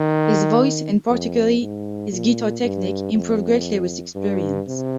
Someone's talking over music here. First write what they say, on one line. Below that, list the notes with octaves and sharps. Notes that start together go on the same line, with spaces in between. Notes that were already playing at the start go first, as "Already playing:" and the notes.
His voice, and particularly his guitar technique, improved greatly with experience.
Already playing: D#3
F2
G#2
A#2
G2
F2
G2
C3